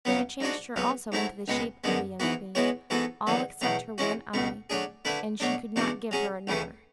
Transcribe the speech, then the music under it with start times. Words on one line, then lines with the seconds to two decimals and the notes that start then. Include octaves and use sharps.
She changed her also into the shape of the young queen, all except her one eye, and she could not give her another.
0.05 C#2 C#3 F#3 B3
0.41 G#2 G#3 D4 F#4
0.76 G#2 F#3 B3
1.12 G#2 F#3 A3 E4
1.48 C#2 B2 G#3 B3
1.84 F#2 D3 G#3 B3
2.20 G#2 E3 B3 F#4
2.55 E3 G#3 B3 F#4 C#5
2.90 G#2 E3 B3 F#4 A4
3.27 E2 D3 F#3 B3
3.61 E2 B2 F#3 A3
3.98 E3 G#3 C#4 F#4
4.34 C#2 B2 A3
4.70 F#3 A3 D4 G#4
5.05 D3 A3 E4 B4
5.40 B2 F#3 A3 D4
5.76 E2 C#3 G#3 D4 F#4
6.11 F#3 C#4 G#4
6.47 C#2 C#3 E3 A3 C#4